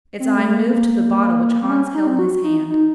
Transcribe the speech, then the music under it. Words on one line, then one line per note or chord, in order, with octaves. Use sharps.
Its eye moved to the bottle which Hans held in his hand.
C4
A3
A#3
C4
C#4
D#4
C4
F#4
D#4
D#4